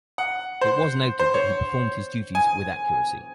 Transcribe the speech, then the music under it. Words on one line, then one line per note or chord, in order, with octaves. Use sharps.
It was noted that he performed his duties with accuracy.
F#5
C5
C5
C#5
G#5